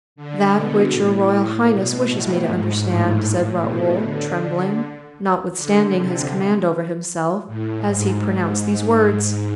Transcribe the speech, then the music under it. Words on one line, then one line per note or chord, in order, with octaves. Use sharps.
"That which your royal highness wishes me to understand," said Raoul, trembling, notwithstanding his command over himself, as he pronounced these words.
D3
B2
A2
A2
B2
A2
G#2
A2
A2
B2
D3
D3
C3
A2
G#2